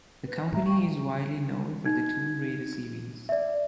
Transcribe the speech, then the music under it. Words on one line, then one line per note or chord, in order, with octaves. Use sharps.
The company is widely known for the "Tomb Raider" series.
B4
C#4
D2 A2 G#3 E5 A#5
G3 F5 G5 C#6
D#4 G#6
D5 E5